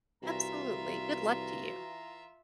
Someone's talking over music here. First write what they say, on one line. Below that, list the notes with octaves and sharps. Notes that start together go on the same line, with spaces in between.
Absolutely, good luck to you.
C2 E3 F4 F#4 E5 A#5